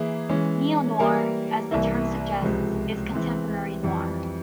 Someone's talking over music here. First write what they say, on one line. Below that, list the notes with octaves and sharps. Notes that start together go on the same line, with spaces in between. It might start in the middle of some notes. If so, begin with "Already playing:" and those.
Neo-noir, as the term suggests, is contemporary noir.
Already playing: E3 A#3 E4 G#4
E3 G#3 C#4
E3 G3 A#3 E4 A#4
C2 C3 E3 A#3 E4
C#2 C3 F3 G#3
E3 G#3 C4
F2 E3 G3